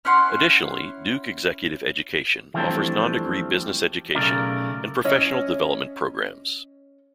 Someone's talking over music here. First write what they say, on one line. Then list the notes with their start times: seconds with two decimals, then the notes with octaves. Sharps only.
Additionally, Duke Executive Education offers non-degree business education and professional development programs.
0.05 C#4 E4 F#5 C6
2.54 E3 F3 G3 A3 C4 D4
4.15 B1 C#3 A3 A#4 D5
5.04 C#4 C#5 D#5 E5